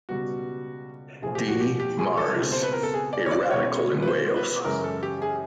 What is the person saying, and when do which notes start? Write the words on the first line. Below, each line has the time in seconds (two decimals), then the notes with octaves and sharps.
D. Mares: A Radical in Wales.
0.09 C#2 B2 G3 B3 F#4
1.22 C2 A#2 F3 A3 G#4
1.35 G4
1.48 F#4
1.60 G4
1.80 G4
1.99 G#4
2.17 A4
2.36 C#2 B2 G#3 C4
2.52 C5
2.63 B4
2.73 A#4
2.83 A4
2.94 G#4
3.13 D5
3.26 C#5
3.31 D5
3.43 C5
3.51 B2 G#3 C#4 C#5
4.02 B4
4.08 C5
4.36 B4
4.65 F#2 C#3 E3 G#3 C#4 A#4
4.84 A4
5.03 G4
5.22 G#4